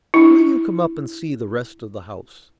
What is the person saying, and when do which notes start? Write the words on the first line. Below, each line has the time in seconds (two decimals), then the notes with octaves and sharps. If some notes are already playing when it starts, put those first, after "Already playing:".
"Will you come up and see the rest of the house?"
0.14 D4 E4